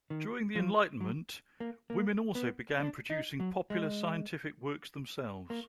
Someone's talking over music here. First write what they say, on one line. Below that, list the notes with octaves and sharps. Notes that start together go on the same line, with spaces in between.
During the Enlightenment, women also began producing popular scientific works themselves.
D#3
F3
F#3
A#3
A#3
B3
D4
D#4
F#3
G#3
A#3